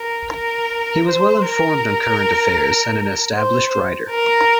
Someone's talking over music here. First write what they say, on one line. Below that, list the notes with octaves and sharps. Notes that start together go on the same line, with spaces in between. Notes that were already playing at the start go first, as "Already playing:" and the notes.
He was well informed on current affairs and an established writer.
Already playing: A#4
A#4
C5
A#4
C5
A#4